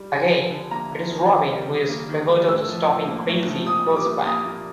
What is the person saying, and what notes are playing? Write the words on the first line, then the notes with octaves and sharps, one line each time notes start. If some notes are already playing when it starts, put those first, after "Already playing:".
Again, it is Robin who is pivotal to stopping Crazy Quilt's plans.
Already playing: G3
D3 G#5
F3
D3
A#3 A#5
D3
F3
D#3
G3
D#3
A#3
D#3
G3
A2 E6
F3
A2
A#3
A2
F3
A#2 D#6
G3
D6
A#2
A#3 D#6
A#2